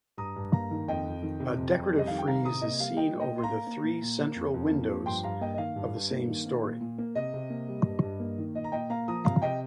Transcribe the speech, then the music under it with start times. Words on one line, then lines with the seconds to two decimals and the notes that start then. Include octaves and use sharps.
A decorative frieze is seen over the three central windows of the same storey.
0.18 G2 A#5 D#6
0.36 G2
0.52 A#3 F5 A#5
0.71 D#3
0.88 F2 D#5 G5
1.05 F2
1.23 D#3
1.40 C3
1.57 F2
1.75 F2
1.93 G3
1.98 D#5
2.07 D#3 F5
2.18 G5
2.27 C3 F5 A#5
2.45 C3 A#5 D#6
2.62 A#3 D#5
2.80 G3 F5
2.97 A#3 D#5 G5
3.15 A#2
3.20 D#5 G5
3.32 A#2
3.38 C6
3.43 F5 A#5
3.49 A#3
3.67 A#3
3.84 A#2
4.02 A#2
4.20 A#3
4.36 F2
4.54 F2
4.71 A#3
4.88 F3
5.06 G2 G5 C6
5.23 G2 F5 A#5
5.41 A#3 D#5 G5
5.54 D#5
5.58 D#3 F5
5.76 G2
5.94 G2
6.11 A#3
6.28 D#3
6.46 A#3
6.64 A#2
6.81 A#2
6.98 A#3
7.15 C3 D#5
7.34 C3
7.50 A#3
7.69 G3
7.86 G2
8.02 G2
8.20 A#3
8.38 D#3
8.55 A#2 D#5
8.64 A#5
8.72 A#2 D#5 G5
8.90 A#3 F5 A#5
9.08 F3 A#5 D#6
9.25 C3 F5 A#5
9.42 C3 D#5 G5